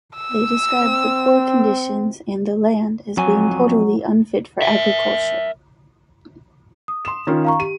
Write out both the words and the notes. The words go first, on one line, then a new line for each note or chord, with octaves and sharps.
They described the poor conditions and the land as being totally unfit for agriculture.
E6
C4
F2 F#3 G#5
A#4 E5
D#6
C6 E7
D#3 C#4 F4
F5 A#5 C#6
G4 D#7